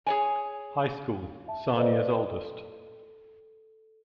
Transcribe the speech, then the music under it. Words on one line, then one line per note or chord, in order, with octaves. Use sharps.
High School, Sarnia's oldest.
G#4 C#5 G#5
E5 A5
A4 B4 C5 D5 D#5 F5
A4